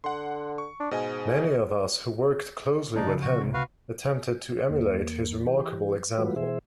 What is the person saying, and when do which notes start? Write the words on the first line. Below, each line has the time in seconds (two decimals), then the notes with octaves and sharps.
Many of us who worked closely with him attempted to emulate his remarkable example.
0.04 D3 F#5 C6
0.58 C#6
0.80 D4
0.91 G#2 B2 D#5 G#5
2.96 G#2 A3 A#3 D4 D#4 D5
3.08 C#3 F3
3.22 F#4
3.41 C#2 C3 C4
3.54 F#4 B4 F5
4.70 E2 A#3
5.47 E3 G4
6.18 E3 G3 A3 F4 F#4 B4
6.36 B2 E3 G#4 C5 E5